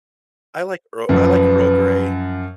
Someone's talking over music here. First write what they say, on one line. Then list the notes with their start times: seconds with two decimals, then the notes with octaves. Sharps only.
I like Earl I like Earl Grey.
1.09 F#2 F3 B4